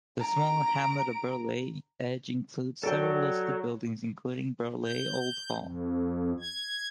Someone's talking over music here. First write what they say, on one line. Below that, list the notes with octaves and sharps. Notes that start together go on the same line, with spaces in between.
The small hamlet of Birley Edge includes several listed buildings including Birley Old Hall.
A#5 D7
F#3 A4 D5 G5
G6
F2
G#6